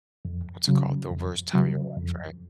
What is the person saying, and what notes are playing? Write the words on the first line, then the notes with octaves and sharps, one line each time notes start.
what's it called? The worst time of your life right?
F2
C#3 F#3
F2
C#3 F#3
F2